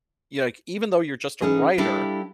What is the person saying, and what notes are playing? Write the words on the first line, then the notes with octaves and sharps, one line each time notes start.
y like, even though you're just a writer,
E3 C#4 D#4 G#4 A4 D#5
G3 D4 E4 G4 A4 F5